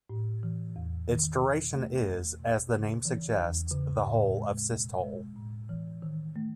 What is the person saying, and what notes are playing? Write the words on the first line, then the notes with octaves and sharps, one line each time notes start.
Its duration is, as the name suggests, the whole of systole.
A2
E3
E2
D#3
B2
A3
E2
B2
C#3
E3
E2
C#3
A2
G#3
B2
G#3
A2
E3
D#3
A3